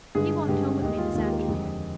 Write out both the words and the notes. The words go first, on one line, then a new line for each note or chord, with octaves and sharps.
He walked home with me this afternoon.
G2 D3 G#3 G#4
G2 D3 G#3 G4
D#2 D#3 G#3 G4
F4
D#2 D#3 G#3 F4
G4
A#4
G4
F2 D3 G#3